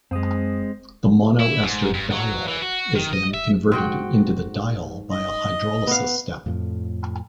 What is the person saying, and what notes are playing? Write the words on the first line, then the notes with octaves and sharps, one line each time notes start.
The mono-ester diol is then converted into the diol by a hydrolysis step.
F#2 G#3 C4 D#6
E4
G#2
G2
F#3
E3
F#4
D#3
D#5
E5
G#2 F#4 G5
D#5
B3 F5
F2 A2 F3